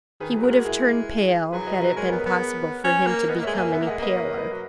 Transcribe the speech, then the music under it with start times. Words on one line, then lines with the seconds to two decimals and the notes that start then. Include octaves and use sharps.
He would have turned pale, had it been possible for him to become any paler.
0.20 D#3 G#4 B4
0.35 F#3
0.43 F#4 A#4
0.50 G#3
0.65 E4 G#4
1.52 F#3 G#4 B4
1.67 B4 D#5
1.81 B4 D#5
1.96 G#3 A#4 C#5
2.10 B3 A#4
2.19 G#4 B4
2.26 B3
2.84 C#4
3.07 A#3
3.29 B3 B4 D#5
3.38 A#3
3.43 G#3 C#5 E5
3.54 A#3 E5 G#5
3.72 B3 E5 G#5
3.81 A#3
3.87 G#3 D#5 F#5
3.99 A#3 B4 D#5
4.16 A#4 C#5
4.38 B4 D#5
4.52 F#3